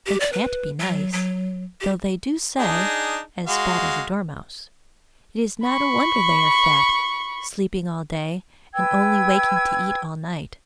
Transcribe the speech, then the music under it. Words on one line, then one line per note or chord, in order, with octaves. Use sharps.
They can't be nice, though they do say 'as fat as a dormouse.' It is not a wonder they are fat, sleeping all day, and only waking to eat all night.
G4
D5
B4
F#3
F#3
G4
D4 D#4 G#4
G#3 F#4 F5
B5 C#6
B4 G5 E6 G#6